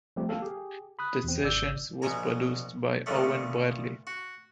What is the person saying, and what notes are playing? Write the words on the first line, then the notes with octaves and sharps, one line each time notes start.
The sessions was produced by Owen Bradley.
F3 G3 A3 C4 G4
A4 F5
G4 G#4
B5 D#6 F#6
E2 C4
G#1 D5 E6 G6
A#1 B2 G#5 A#5
A#2 D3 D#3 G3 A3 B3
F#4